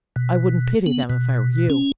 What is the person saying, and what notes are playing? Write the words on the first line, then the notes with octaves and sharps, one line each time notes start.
I wouldn't pity them if I were you.
B2
B3
B2
C#4